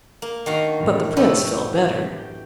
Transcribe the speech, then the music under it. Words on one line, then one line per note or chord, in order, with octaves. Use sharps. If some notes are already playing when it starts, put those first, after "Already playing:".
But the prince felt better.
A#3
D#3 D4 F#4 D#5 F5
A1 F#2
A3 B3 G4 C#6 E6
G4 G6